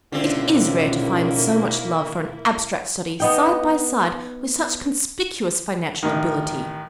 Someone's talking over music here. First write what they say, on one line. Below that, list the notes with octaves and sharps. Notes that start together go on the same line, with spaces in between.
'It is rare to find so much love for an abstract study side by side with such conspicuous financial ability.'
C#2 B2 D3 D#3 A#3 C4 E4
B3 D#4 G5
A1 D#3